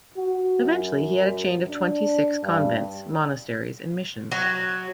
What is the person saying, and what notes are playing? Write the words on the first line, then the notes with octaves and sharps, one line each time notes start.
Eventually he had a chain of twenty-six convents, monasteries and missions.
F#4
F#2
D4
G2
F#3